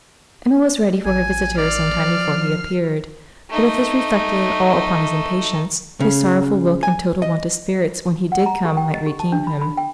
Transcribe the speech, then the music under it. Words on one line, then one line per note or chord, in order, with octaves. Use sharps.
Emma was ready for her visitor some time before he appeared; but if this reflected at all upon his impatience, his sorrowful look and total want of spirits when he did come might redeem him.
A1 G#5
D5 F6 C7
F3
A3 D#4
C#3
G#5
D#5
F#5
A#5
G4
G5
D#5
G4
A5
D4
B5
B5
G5